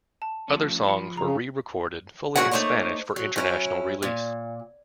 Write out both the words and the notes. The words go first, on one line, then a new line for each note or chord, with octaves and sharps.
Other songs were re-recorded fully in Spanish for international release.
A5
F3 A3 C#4
F3 B5 C#7
C#3 A#5
E2 A2 F#4 G#4 A#4 F#5
A3 A#3 D#4 C5 C#5
F#3
F#3 C#4 E4
A#2